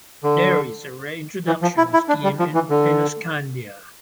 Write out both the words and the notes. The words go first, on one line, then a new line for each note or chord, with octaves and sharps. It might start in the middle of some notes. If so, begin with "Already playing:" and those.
There is a re-introduction scheme in Fennoscandia.
D3
E3
F3
E4
E4
D4
G3
F3
E3
D3